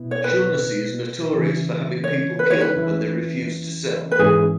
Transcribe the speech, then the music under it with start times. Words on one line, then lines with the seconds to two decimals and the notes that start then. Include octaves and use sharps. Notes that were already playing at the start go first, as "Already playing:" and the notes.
Shaughnessy is notorious for having people killed when they refuse to sell.
Already playing: B2 B3 E4
0.11 C#5
0.24 B4
1.32 C#3 E3 C#4 E4
2.04 C#5
2.39 B4
2.50 C#5
2.61 B4
2.76 E2 E3 C#4 E4
4.12 B4
4.19 G#2 E3 C#4 G#4